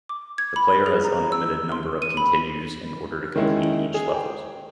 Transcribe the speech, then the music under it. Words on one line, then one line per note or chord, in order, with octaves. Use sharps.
The player has an unlimited number of continues in order to complete each level.
D6
G#6
B5
G#4
A#5
E6
C6
D#7
B5
D#3 G#3 C#4 E4
G#4
G5